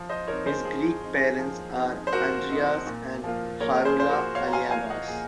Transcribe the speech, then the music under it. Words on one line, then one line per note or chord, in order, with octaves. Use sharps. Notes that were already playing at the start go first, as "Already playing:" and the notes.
His Greek parents are Andreas and Harula Aliagas.
Already playing: F3
C5 D#5
C4 D#4 A#4 C#5
G#4 C5
F3 G#4
C4 D#4
G#4
F3
C4 D#4
C5
F3 F#4 A#4
C4 D#4
A#2
F3 A#3 F4
A#2 A#4 C#5
A#4
G#4 C5
F3 A#3 F4 C5
F#4 A#4
A#2 C#5 F5
A#5
F5 G#5
F3 A#3 F4 F5 G#5
D#5 F#5
A#2 G#4